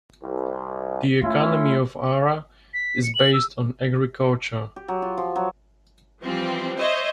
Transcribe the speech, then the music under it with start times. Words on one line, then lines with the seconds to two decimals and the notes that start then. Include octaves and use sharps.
The economy of Hara is based on agriculture.
0.23 C2
1.22 A3 C#4 E4 F4
2.74 B6
3.03 C#7
3.15 F#7
3.33 E6
4.76 G4
4.88 F#3
5.02 F4
5.18 F3
5.36 F#3
6.23 E3 F3 G3 C4
6.78 C5 C#5 D#5 E5